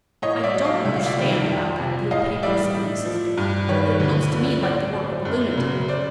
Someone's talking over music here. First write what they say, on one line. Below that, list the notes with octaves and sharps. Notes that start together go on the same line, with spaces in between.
'I don't understand about that blue paper,' said Mrs Biddle. 'It looks to me like the work of a lunatic.
A2 C#5 D#5
D5 E5
F#3
D#5 F5
C#2 E5
F5
D5 E5
C3 D#3 G3
F2
C3 F3
A2 D#5 F5
E3 G3 D5 E5
A2
F3
G2
D#3 G3 B4 C#5
D2
D3 F3
A2 C5 D5
F#3
F#2
C#3 F#3
C5 D5